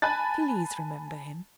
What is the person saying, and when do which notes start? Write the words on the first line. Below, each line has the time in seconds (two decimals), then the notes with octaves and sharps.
Please remember him.
0.02 G#5 A5 B5 F#6 A6